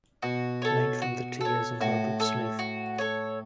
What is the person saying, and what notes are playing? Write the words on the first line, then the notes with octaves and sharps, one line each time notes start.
Made from the tears of Robert Smith.
B2 F#4
A4 C#5
F#4
A4 C#5
A2 F#4
A4 C#5
F#4
A4 C#5